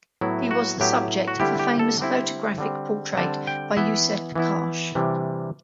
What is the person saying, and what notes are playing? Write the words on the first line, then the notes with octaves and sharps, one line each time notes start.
He was the subject of a famous photographic portrait by Yousuf Karsh.
A2 F#3 B3 E4
F#4
A2 F#3 B3 E4 G4
F#4
D3 G3 C4 E4 G4
G4
A4
D3 G3 C4 E4
D3 G3 C4
D3 G3 C4 A5
G5
E3 B3 E4 E5
E3 B3 E4
C3 E3 G3 D4